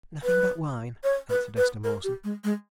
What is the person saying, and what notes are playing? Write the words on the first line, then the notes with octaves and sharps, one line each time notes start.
"Nothing but wine," answered Esther Mawson.
B4
C#5
B4
B4
A#4
G4
G#3
G#3